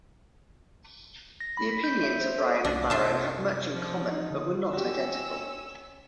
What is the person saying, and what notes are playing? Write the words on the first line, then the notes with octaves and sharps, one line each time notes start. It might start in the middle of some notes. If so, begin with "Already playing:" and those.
The opinions of Browne and Barrowe had much in common, but were not identical.
A#6
B5
B6
G6
E5
C5
A4
C2 F#2 D4
C3 F4 E5 A5
F3
D#4
D3
C#4 F#4 G4 E6